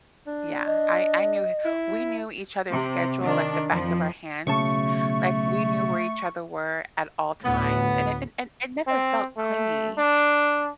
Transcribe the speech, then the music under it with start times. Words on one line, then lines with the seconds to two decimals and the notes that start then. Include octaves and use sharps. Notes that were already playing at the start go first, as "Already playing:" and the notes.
Yeah. I I knew we knew each other's schedule, like, the back of our hands. Like, we knew where each other were at all times, and it didn and it never felt clingy.
0.27 D4
0.66 D#5
1.65 E4
2.71 C3
3.21 D#3 D4
3.70 F2 F3
4.47 B1 C#3 A3 A5 C#6
7.43 D2 A2 B3
8.87 C4
9.37 A3
9.98 D4